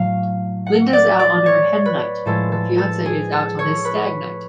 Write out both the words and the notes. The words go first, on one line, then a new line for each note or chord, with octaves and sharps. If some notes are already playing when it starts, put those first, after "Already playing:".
Linda's out on her hen night, her fiance is out on his stag night.
Already playing: A2 F#3 F5
F#5
D5
D5
C#5
B4
A2 F3 G#3 A4
A4
A4
G#4
A4
C#5
B4